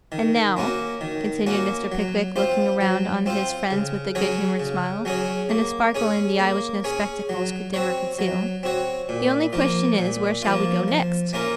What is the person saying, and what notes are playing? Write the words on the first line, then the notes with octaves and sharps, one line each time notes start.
And now,' continued Mr. Pickwick, looking round on his friends with a good-humoured smile, and a sparkle in the eye which no spectacles could dim or conceal, 'the only question is, Where shall we go next?'
D#3
A#3 C#4 F#4
D#3
A#3 C#4 F#4
F#3
C4 F4 C5
F#3
C4 F4 C5
C#3
F#3 C#4 G#4 C#5
C#3
F#3 C#4 G#4 C#5
A#3
C#4 G#4 C#5
A#3
C#4 G#4 C#5
F#3
C4 F#4 C#5
F#3
C4 F#4 C#5
A#2
F3 A#3 F4
A#2
F3 A#3 F4
F3
A#3 C#4 F4 A#4